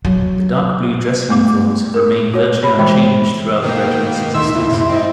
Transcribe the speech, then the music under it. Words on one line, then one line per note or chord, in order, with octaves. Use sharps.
The dark blue dress uniforms have remained virtually unchanged throughout the regiment's existence.
F#3
A3 B3 D6
A#4
F#4 C#5
C#5 B5
E3 G#3 C5 G5 B5
B2 D#3 A#3 G5
D2 D#3 E5 C6 E6
F2 A#2 E4
F#2 C3
G#2 C4 D#5